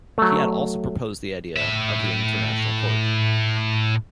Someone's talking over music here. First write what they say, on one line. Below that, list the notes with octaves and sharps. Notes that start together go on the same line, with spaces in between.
He had also proposed the idea of the International Court.
F#3 A3
A2 E5